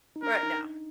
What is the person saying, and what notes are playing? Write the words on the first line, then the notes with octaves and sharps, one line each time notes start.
Right now.
D#4
D4 A#4
D#4